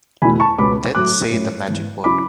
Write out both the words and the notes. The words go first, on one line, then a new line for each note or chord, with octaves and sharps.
Then say the magic word.
E2 B2 A3 E4 G#5 B5
A5 C#6
C#2 B2 G#3 B3 B5 D6
A2 F#3 A3 D6 F#6
A2 F#3 C#4
G#2 E3 B3
C#3 F#3 C#4 E4 B5 D6